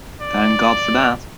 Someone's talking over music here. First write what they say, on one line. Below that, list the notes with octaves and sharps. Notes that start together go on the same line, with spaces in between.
Thank God for that!
D5